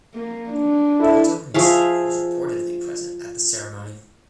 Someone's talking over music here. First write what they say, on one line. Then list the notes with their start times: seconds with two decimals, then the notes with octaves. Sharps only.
Balto himself was reportedly present at the ceremony.
0.14 A#3
0.50 D4
1.00 E4 A4
1.54 F3 G#4 E5 F5